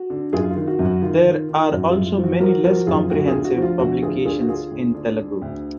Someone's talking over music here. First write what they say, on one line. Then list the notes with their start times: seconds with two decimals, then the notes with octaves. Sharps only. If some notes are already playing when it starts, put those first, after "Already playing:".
There are also many less comprehensive publications in Telugu.
Already playing: F#4
0.10 D3
0.33 F#2 F4 G#4
0.51 F4
0.56 D#3
0.67 F#4
0.79 F#2
0.85 F#4
1.02 D#3 F4
1.25 D#3
1.48 D#3
1.72 F#2 F#4
1.89 F4 G#4
1.95 F#2
2.06 F4
2.18 F3
2.24 F#4
2.41 F3 F#4 A#4
2.64 F3 F#4 A#4
2.87 F#2 F4 G#4
3.10 D2 F#4
3.27 F4 G#4
3.33 D2
3.45 F#4
3.57 F3
3.62 F4
3.79 D2 F#4
4.02 D2 F4 G#4
4.25 D3 F4 G#4
4.41 F#4
4.49 D3 F4 G#4
4.71 D2
4.95 D3
5.18 D3
5.42 D2